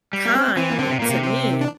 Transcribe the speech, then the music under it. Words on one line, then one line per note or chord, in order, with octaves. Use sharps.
kind to me,
G3
A#3
C4
E3 C4
A#3
D3 C4
C3
A#2 A#3
C3
C4
D4